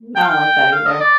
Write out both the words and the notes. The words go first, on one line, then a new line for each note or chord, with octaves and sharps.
I don't like that either.
G5
F5
G5
F5
D#5
D5